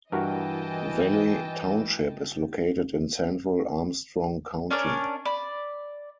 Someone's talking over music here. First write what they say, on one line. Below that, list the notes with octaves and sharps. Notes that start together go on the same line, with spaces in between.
Valley Township is located in central Armstrong County.
G2 E3 E4 F#4 A#4 D#5 G5 A5
C#4 D4 A#4 D5
D5 B5